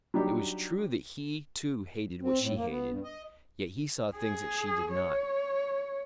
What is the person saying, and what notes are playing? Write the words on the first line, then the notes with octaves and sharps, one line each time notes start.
It was true that he too hated what she hated, yet he saw things that she did not....
F#3 G3 D4 D#4 G4
C4
A2
A#3
B3
G2
D#5
G#4
C#5